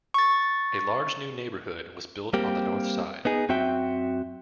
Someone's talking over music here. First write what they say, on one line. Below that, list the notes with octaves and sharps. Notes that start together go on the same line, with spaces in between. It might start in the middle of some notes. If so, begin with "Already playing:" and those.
A large new neighbourhood was built on the north side.
C#6 A6
G3 A#3 C4 G4
B3 D#4 G#4
F#2 C4 F#4 E5 G5